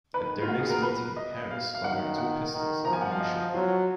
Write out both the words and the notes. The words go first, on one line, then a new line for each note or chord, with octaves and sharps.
At their next meeting, Harris fired two pistols at Marshall.
D#3 B4
F4
F#4
G#4
A#4
B4
D#5
F5
F5
D#3 F#5
F#5
D#3
F3 A#5
G#5
F#5
F5
D#5
F#3 F4